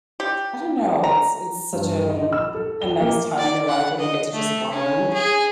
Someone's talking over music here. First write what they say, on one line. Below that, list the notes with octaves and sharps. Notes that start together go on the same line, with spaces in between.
I don't know, it's it's such an mm a nice time in your life when you get to just learn,
G4
A#5
G2
D#5
E6
A4
G7
A#3
D5
F#5
D#5
A3
C#4
G#4